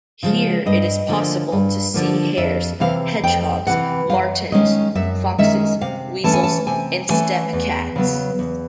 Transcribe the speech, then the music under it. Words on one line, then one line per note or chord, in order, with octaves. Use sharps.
Here it is possible to see hares, hedgehogs, martens, foxes, weasels and steppe cats.
C#3 F3 G#3
G2 D#5
D3 F3 A#3
G2
D3 F3 A#3
F2 E5
C3 E3 F5
F2 G5
C3 E3 F#5
F#2 F5
D#3 G#3 C#4 D#5
F#2 E5
D#3 G#3 C#4 E5
C3 F5
E3 A3 C#4 A5
G#5
A5
C3 G#5
E3 A3 C#4 G#5
E2
C#3 F#3 B3
E2